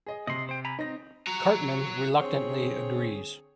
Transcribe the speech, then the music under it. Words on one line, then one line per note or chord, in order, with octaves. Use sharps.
Cartman reluctantly agrees.
G#4 D#5
C3 D#5 C6 F#7
C5 G5
G#5 A#5 B5
C4 D#4 A#6
F#4 A#5
D3 C4 G#4 C#5